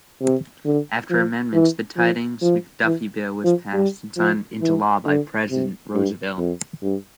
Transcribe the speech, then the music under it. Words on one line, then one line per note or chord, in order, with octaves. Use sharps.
After amendments, the Tydings-McDuffie bill was passed and signed into law by President Roosevelt.
C3
D3
F3
E3
F3
F3
E3
F3
G3
F3
E3
D3
C3
G2
F2
G2